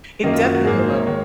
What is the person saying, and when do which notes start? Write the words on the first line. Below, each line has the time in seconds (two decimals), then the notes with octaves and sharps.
It definitely will.
0.23 F#2 D#3 F#3 A#3 D#5
0.34 F4
0.43 F#4
0.55 F#4
0.64 G#2 F#3 A#3 G#4
0.79 C5
0.92 C#5
1.07 D#3 G#3 C#5